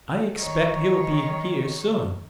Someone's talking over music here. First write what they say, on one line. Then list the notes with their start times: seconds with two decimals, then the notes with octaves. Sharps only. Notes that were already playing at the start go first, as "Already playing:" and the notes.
I expect he'll be here soon.
0.38 D#3 C#5